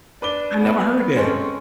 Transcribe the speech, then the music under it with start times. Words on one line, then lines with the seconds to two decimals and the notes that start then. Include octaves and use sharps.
I never heard that.
0.22 D4 B4 D6 G7
0.58 B3
1.16 G#3 C4 C#4 A4